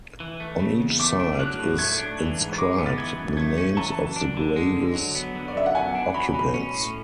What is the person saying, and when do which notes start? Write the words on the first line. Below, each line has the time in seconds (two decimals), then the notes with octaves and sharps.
On each side is inscribed the names of the grave's occupants.
0.20 E3
0.40 A3
0.59 C#3
0.80 E2
0.99 A3 D6
1.20 D4
1.39 F#3 F#6
1.59 A2
1.78 A3 G#6
1.98 D4
2.19 E3
2.38 G#2
2.58 G#3 D6
2.78 B3
2.86 A6
2.98 E3 G#6
3.17 F#2
3.37 A3 G#6
3.58 C#4
3.76 E3 A5
3.97 F#2
4.16 D4
4.37 D3
4.56 G#3
4.76 D3
4.95 F#3
5.15 B3
5.35 D3
5.48 D5
5.55 F#2 E5
5.66 F#5
5.75 B3 G#5
5.95 D4
6.14 F#3 B5
6.34 B2
6.54 C#4
6.74 A2